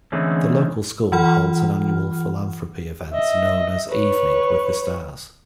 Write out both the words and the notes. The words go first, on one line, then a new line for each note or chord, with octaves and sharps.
The local school holds an annual philanthropy event known as Evening with the Stars.
D3 E3 G#3 A3 C4 C#4
E3 F4 F#5 B5 F6
D#5 E5
B4 C#5